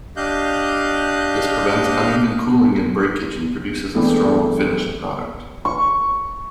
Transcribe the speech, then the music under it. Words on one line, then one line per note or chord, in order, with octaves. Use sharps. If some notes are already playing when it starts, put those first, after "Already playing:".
This prevents uneven cooling and breakage and produces a strong finished product.
D4 G4 D#5 F5 F#6 G6
E3 G#3 A3 B3 C4 D4
C#6